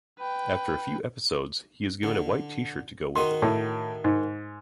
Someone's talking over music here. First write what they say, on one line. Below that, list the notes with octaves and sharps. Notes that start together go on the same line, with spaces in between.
After a few episodes, he is given a white T-shirt to go with it.
B4 G5
D3
D#3 F#4 D#5 C6
A2
G#2